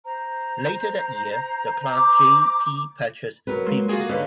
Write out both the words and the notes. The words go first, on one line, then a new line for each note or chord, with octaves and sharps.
Later that year, the clown "J. P. Patches" premiered.
C5 A#5
D6
F#3 A#4 B4
G#3 A#3 C6
F4 F#4 G#4
D3 D#4 B4 C#5 F5